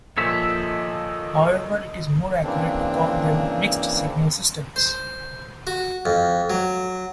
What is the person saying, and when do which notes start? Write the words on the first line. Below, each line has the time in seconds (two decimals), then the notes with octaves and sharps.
However, it is more accurate to call them mixed-signal systems.
0.17 A#2 F3 A4 C#5 D#5 E5
2.44 C#3 E3 A#3 C4 D4
4.76 C5
5.67 F#4
6.06 F2
6.50 F#3